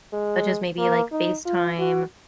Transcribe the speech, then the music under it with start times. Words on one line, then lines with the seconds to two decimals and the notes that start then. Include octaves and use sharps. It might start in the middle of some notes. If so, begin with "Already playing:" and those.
such as maybe, like, FaceTime
0.13 G#3
0.79 A#3
1.12 D#4
1.46 F4
1.79 F#4